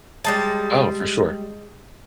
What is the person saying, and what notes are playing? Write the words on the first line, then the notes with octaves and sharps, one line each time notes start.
Oh, for sure.
G3 G#3 A5